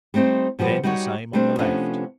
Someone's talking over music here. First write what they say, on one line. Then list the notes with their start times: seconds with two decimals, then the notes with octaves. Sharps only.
Then the same on the left.
0.14 G3 A3 C4 D#4 C5
0.59 B2 F3 G3 B3
0.83 G3 D#4 F#4 G4 C#5
1.33 G3 A3 C4 D4 C5
1.59 C3 F3 A3 B3 C#4 D4